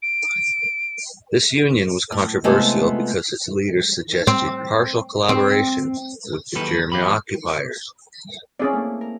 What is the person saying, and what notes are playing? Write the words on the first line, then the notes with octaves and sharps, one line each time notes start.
This Union was controversial because its leaders suggested partial collaboration with the German occupiers.
D7
A2
C3 G#3 A3 B3 F4
C4
C4
D#3 F#3 A#3 G4 A4 B4
E2 G2 F4 G4 B5
C4 C#4 E4 F4 G#4 D5
A3 A#3
A#4